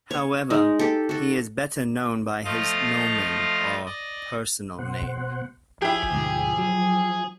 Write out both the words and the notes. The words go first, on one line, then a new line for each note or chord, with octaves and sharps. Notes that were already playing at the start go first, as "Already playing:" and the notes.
However, he is better known by his "nomen", or personal name.
C#5
G#3 D#4
G4 A4
F#4 A4
F3 A3 F4 D#5 F5
D5 D#5
B2 C5 F#5
F3 E4 G4 G#4
D2 G#2 B2
F#3